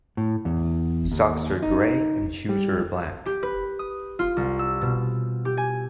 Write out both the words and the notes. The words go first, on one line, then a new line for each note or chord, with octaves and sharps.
Socks are grey and shoes are black.
A2
E2
D#2
D#4
G3
G4
B4
D#6
F4
C2
E6
B2
G4
G#5